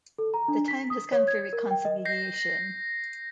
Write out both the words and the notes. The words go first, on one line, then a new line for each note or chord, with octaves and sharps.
The time has come for reconciliation!
A4
A#5
D4
B6
D#6
C#5
G#6
A#4
G5
D#5
G6 A#6 C7